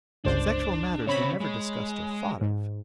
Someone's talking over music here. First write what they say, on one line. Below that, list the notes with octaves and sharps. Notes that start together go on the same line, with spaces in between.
Sexual matters were never discussed or thought of.
G1 C#2 D4 C5
C#3 C4 C#5 B5
G#3
G#2